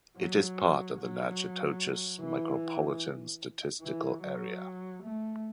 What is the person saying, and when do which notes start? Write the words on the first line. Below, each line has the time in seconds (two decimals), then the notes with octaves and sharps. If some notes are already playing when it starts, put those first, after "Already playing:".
It is part of the Natchitoches Micropolitan Statistical Area.
0.17 F#3
0.98 F#3
2.20 E3
3.81 E3
4.21 F#3
5.03 A3